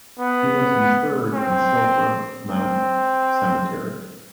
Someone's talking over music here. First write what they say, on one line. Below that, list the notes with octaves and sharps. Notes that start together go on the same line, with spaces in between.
He was interred in Silver Mount Cemetery.
B3
C4
C4